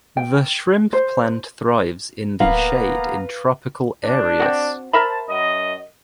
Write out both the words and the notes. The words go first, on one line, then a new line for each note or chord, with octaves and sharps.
The shrimp plant thrives in the shade in tropical areas.
G5
C5
D1 A#3 B3 B4 F5 A#5
D4
C4 F#4
A#4 C5 E5 A5 B5
F#2 D#5